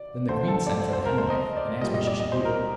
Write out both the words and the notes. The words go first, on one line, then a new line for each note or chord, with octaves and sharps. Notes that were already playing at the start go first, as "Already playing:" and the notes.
Then the queen sent for the Hen-Wife, and asked what she should do.
Already playing: D5
D3 A3 C5
A4
D5
C5
C5
A#4
C5
D#5
D5
A#2 G3 D#5
D#5
D5
D#5
C5
A#4